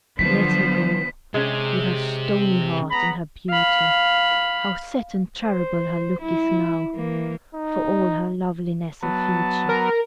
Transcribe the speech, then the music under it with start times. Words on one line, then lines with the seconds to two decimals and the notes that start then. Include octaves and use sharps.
Let her go,--with her stony heart, and her beauty;--how set and terrible her look is now, for all her loveliness of feature!
0.19 D3 F3 F#3 B3 C5 B6
1.34 C3 G#3 C#4
2.91 B3 A#5 B5
3.50 F5 B5
5.44 C5
6.22 E4
6.95 E3 A#3
7.55 D#4
9.03 F#3 B3 A5
9.69 A#4